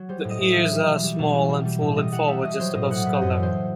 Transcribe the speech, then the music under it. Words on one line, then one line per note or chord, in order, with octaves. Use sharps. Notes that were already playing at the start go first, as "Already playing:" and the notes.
The ears are small and folded forward just above skull level.
Already playing: F#3
G3 C5
A2
D#5
A2
E3 E5
G3
B2
G3
B2
E3
G3
G3
A2
G3 D#5
G3 F#5
G3 E5
B2 D#5
F#3 C5
A2 D#5
A2 F#5
A2 B4
C5
F#2 D#5
E3
C5